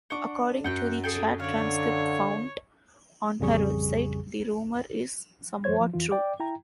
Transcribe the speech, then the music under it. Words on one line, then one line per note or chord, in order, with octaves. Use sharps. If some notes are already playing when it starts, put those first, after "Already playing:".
According to the chat transcript found on her website, the rumor is "somewhat true".
D4 F#5 C#6 D6 G7
F#2 F#4 F#5 G5 F#6
G#4 A4 G5
D3 D4 C#5 F5
A1 F2 C#3 G3 G#4 C#6
F#2 F3 G3 C5 C#5 G#6
F3
F2 E3 F4
D5 G5 D6
E4 G5 A#5